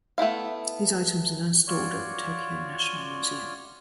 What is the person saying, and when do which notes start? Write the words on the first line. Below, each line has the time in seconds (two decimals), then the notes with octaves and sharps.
These items are now stored at the Tokyo National Museum.
0.18 A3 B3 E4 F5
1.67 F4 F#4 C#5 D5